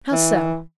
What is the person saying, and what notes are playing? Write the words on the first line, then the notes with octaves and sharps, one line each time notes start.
"How so?"
E3